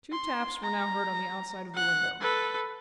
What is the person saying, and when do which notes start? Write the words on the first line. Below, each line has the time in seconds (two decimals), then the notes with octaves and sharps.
Two taps were now heard on the outside of the window.
0.12 C6
0.63 A#5
1.74 F#5 F#6
2.21 A4 B4